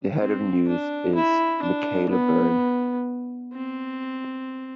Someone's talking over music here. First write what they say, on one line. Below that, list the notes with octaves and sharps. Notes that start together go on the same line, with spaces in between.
The head of news is Michaela Byrne.
C4
D4
E4
D4
B3
C4